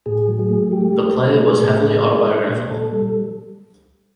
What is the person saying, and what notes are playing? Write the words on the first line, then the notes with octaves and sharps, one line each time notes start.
The play was heavily autobiographical.
A2 G#4
F#3
G#4
A3
G#3 G4
G#3
B2
A3 G#4
A2
A2
G#3
G#3
A#2
A#2 A4
G3